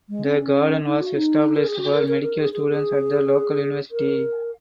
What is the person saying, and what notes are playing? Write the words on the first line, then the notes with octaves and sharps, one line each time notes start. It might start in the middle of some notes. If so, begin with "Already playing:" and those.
The garden was established for medical students at the local university.
G#3
C#4
D#4
F#4
D#4
A#4
G#4
F#4
A#4
A#4
A#4
G#4
G#4
G#4
A#4